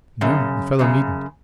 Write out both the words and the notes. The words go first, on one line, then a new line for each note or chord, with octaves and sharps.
"No, the fellow needn't."
F#2 C#3
F#2 C#3